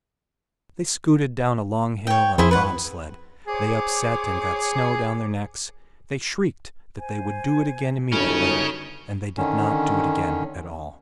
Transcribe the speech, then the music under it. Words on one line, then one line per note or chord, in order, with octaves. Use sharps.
They scooted down a long hill on a bob-sled, they upset and got snow down their necks they shrieked that they would do it again immediately--and they did not do it again at all.
C#5 G5
F2 E4 G#4 C5
B4 F#5
G#4 C5 C#5 D6
C5 G#5
G1 F#2 C#3 C#4 D#4 A4 B5
D3 D#3 C#4